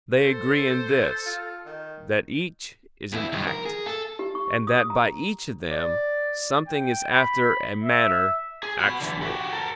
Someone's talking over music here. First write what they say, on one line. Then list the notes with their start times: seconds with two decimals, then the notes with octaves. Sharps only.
They agree in this, that each is an act; and that by each of them something is after a manner actual.
0.20 A4 C5
1.26 F4
1.66 D#3
3.13 E2 E4
3.32 D#3 G3
3.47 A#4
3.66 G#4
3.87 A4
4.19 G4
4.35 C#6
4.67 D#6
4.90 A#5
5.72 D5
6.67 G5
7.11 B5
7.84 E5
8.63 G#4
8.80 F#4 B5
9.00 D3 E3
9.22 F#4 G4
9.52 A4 A#4